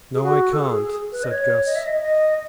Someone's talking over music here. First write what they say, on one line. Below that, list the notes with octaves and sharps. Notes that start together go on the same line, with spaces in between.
"No I can't," said Guss.
G#4
F#4
A4
G#4
B4
D#5
C#5
D#5
E5
D#5
D#5